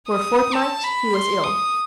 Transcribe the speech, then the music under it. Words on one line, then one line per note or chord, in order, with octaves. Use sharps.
For a fortnight he was ill.
D#6
A5
B5
C6
D#6